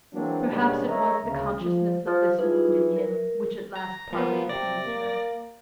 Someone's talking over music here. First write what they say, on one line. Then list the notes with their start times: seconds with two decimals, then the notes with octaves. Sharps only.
Perhaps it was the consciousness of this mood in him which at last partly appeased her.
0.14 E3 F#3 G#3 A#3 C4 D4
0.50 B2 D#3 G3 G#3 C#4 D4
0.87 A#4 C#5 D#5 E5 A#5
1.25 D2 C#3
1.62 F3
2.07 F3
2.39 E3 D#4 F4 G#4
2.97 A#4
3.76 A#5
4.12 F3 A#3 B3
4.49 C3 D5 A#6
4.86 A#3